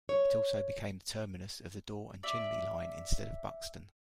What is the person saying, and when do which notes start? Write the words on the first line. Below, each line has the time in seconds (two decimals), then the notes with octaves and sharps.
It also became the terminus of the Dore and Chinley line instead of Buxton.
0.09 C#5
2.23 D5 E5